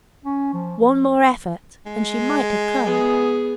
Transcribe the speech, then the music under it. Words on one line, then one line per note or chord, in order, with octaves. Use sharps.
One more effort, and she might have come.
C#4
F3
G#3
B3 G#4